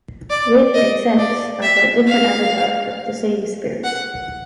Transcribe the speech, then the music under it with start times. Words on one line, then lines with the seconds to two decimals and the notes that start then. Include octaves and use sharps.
Wit and sense are but different avatars of the same spirit.
0.30 D5
0.73 D#5
1.18 D5
1.62 E5
2.07 F5
3.84 F#5